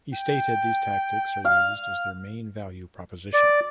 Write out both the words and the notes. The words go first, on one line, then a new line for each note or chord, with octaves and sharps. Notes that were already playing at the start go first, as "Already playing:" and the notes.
He stated these tactics were used as their main value proposition.
G5
F5
D5